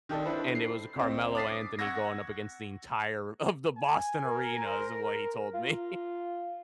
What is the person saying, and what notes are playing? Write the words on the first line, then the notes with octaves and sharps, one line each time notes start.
and it was Carmelo Anthony going up against the entire of the Boston Arena, is what he told me.
D#3 G4 A4 D5
D4 E4 A4 B4 C5
C7
C#2 C4
D6 D#6 A6 B6 C7
F#5 C#6 E6 G#6 A#6
G#5
A#4
C5
A#5
F4